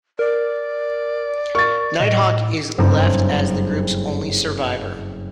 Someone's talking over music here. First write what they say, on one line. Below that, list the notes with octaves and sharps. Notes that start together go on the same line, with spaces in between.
Nighthawk is left as the group's only survivor.
A#4 D5
A#4 C#6 A6
A2 D#5
F#1 G2 C4 A4 A#5 A#6